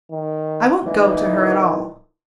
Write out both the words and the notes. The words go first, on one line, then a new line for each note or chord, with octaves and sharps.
I won't go to her at all.
D#3
A#2 D3 E3 D#4